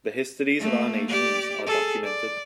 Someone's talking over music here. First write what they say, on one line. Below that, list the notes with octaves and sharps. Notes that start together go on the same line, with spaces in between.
The histories of our nations are documented.
A3 A#3
G4 D5
G#4 A4
D5